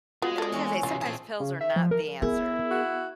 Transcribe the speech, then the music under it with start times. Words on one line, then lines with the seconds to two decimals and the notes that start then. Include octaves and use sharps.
I was gonna say, sometimes pills are not the answer.
0.22 G#3 B3 F4 F#4 D#6
0.38 A4 D5
0.52 E3 B3 C#4 C#6
0.83 C2 C#3 F4
1.01 A#2 C4 G#4 A5
1.40 C#3
1.61 E5
1.76 F3
1.91 A#4
2.22 B3 E4 G#4 A#4
2.71 F#4